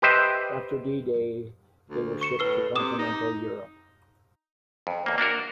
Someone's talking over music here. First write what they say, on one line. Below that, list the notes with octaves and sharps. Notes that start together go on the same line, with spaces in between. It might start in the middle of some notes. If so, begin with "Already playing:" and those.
After D-Day, they were shipped to Continental Europe.
G4 B4 C5 D#5 E5 G5
D2
C#6 C#7 E7
A2 B4 E6 C7
C3 D6 D#6 E7
D#4
F2
E2 A#3
A#3 D4 F#4 A#4